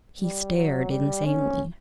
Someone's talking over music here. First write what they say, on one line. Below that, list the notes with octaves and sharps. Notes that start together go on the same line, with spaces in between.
He stared insanely.
G3
F#3
G3
C#4